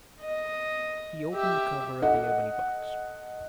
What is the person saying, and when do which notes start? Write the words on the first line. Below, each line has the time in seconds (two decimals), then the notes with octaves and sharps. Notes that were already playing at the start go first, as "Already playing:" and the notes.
He opened the cover of the ebony box.
0.21 D#5
1.34 G4 E5
2.02 A4 D#5 F#5